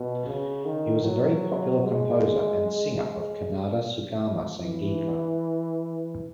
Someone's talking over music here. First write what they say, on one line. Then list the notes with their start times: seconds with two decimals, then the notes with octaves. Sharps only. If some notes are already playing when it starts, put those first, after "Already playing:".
He was a very popular composer and singer of Kannada Sugama Sangeetha.
Already playing: B2
0.27 C#3
0.65 D#3
1.06 F#3
1.84 G#3
3.04 G#3
4.62 E3